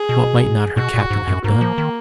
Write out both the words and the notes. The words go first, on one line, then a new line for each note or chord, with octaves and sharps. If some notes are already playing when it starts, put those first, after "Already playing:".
What might not her Captain have done?
Already playing: G#4
B2
B2 F#4
A#2
G#2
F#2
G#2 A#3
F3
D#3